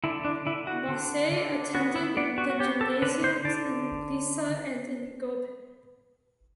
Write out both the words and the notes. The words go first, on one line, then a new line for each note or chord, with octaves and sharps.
Mosse attended the "gymnasiums" in Lissa and in Goben.
D3 E4
D4
D3 E4
F#4
D3
D3
B3 F#4
E4
B3 D4
F#4
F#4
B3 G4
A4
D3 B4
C5
D3 D5